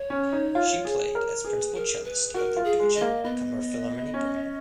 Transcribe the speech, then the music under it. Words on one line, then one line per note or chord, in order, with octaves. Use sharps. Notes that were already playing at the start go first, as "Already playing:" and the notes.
She played as principal cellist of the Deutsche Kammerphilharmonie Bremen.
Already playing: C#5
C#4
D#4
F4
G#4
A#4
G#4 B4
A#4
B4
F#4 A#4
F4
G#4
G#3
D#5
A#3
B3 D#5
C#4